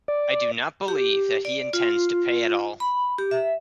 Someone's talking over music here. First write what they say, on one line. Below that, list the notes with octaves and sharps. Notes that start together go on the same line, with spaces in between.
I do not believe that he intends to pay at all.
D5
G4
D5
F4
B5
G4
E5